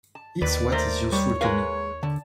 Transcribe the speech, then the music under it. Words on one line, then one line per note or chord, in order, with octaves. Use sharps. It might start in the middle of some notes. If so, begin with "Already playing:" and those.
It's what is useful to me.
A5
D#2 B4 D5
A3 A#4 C5
G3 C#5
G#3 A#4 B4 F5
D3 A5